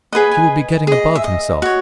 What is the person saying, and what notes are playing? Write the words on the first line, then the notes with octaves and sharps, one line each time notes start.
He will be getting above himself.'
G#4 B4 D#5 F#5
G#5
G#4 D#5
E5
D#5
F#4 C#5